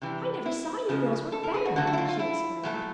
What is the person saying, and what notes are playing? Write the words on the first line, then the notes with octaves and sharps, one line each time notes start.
"I never saw you girls work better!" she exclaimed.
C3 E3 G3
E4
C#3 F3 G#3
A4
A#4
G#4
F#4
D3 F#3 A3 F#4
F#4
E4
F4
F4
E4
A#2 F#3 A3